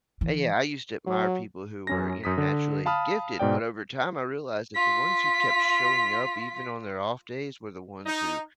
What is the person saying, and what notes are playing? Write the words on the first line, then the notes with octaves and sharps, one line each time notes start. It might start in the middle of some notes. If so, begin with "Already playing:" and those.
and, yeah, I used to admire people who were, you know, naturally gifted, but over time, I realized that the ones who kept showing up, even on their off days, were the ones who
E3
F#3
F#2 C#4 A#6
F#2 D#6 B6
D3
F5 A5 B5 D#6 F6
G#2 B2 D5 G5
F4 B6
D#4